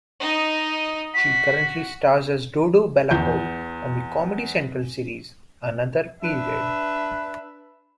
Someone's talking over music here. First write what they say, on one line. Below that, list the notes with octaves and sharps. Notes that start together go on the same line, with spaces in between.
She currently stars as Dodo Bellacourt on the Comedy Central series "Another Period".
D#4 D#5
F#4 B6
E2 G6
D4 B4 E5 B5